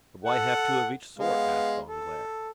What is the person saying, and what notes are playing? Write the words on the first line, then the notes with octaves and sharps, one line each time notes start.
"But why have two of each sort?" asked Danglars.
A4 F#5
G#3 B3 F5
A4